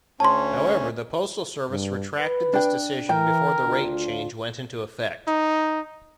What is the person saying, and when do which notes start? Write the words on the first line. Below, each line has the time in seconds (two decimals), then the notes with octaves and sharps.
However, the postal service retracted this decision before the rate change went into effect.
0.20 D2 C#4 A5 C6
1.71 G2
2.19 B4
2.53 D4 G5
3.09 E3 A#4 G5
3.64 D2 D4 F4
5.27 D#4